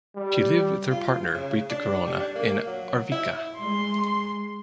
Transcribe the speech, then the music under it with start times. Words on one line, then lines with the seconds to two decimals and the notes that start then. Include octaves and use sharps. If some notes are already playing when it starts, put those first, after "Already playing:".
She lived with her partner Brita Crona in Arvika.
0.16 G3
0.91 F4
1.34 C#3
1.70 D4
2.06 G3
2.20 D4
2.36 A#3
2.67 F#3
3.12 E4
3.59 G#3 C6